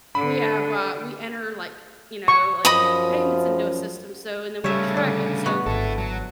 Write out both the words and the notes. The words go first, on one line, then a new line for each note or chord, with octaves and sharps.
we have, uh we enter, like, you know, like, payments into a system, so, and then we track it, so
D3 B5
C#6
F#2 F3 D#5 B5 D#6
C#3 G3 A3 C#5 E5
D3
B3 F#4
G#1 E4 A4
F#3